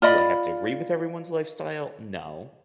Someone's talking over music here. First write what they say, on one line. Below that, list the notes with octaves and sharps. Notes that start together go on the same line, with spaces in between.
Do I have to agree with everyone's lifestyle? No,
F4 D5 D#5 B5